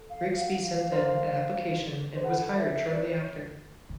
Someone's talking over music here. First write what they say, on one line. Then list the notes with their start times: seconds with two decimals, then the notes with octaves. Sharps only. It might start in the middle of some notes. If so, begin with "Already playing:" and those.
Rigsby sent in an application and was hired shortly after.
Already playing: A4
0.10 F5
0.27 F5
0.40 F#5
0.54 F5
0.92 A#4 C5
2.17 C5
2.24 A4 B4 F#5
2.57 E5
2.74 E5
2.90 D5
3.07 C#5